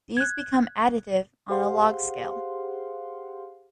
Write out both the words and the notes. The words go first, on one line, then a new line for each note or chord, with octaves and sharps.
These become additive on a log scale.
F#6 G#6
G4 G#4 C5 F5 F#5 C6